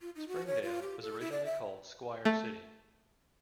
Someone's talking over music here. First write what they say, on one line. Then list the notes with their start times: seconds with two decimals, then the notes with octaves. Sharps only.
Springdale was originally called Squire City.
0.01 F4
0.16 D#4
0.28 F#4
0.47 C#5
0.63 F4
0.82 G4
1.02 A4
1.20 E4
1.32 D5
1.45 E5
2.25 A3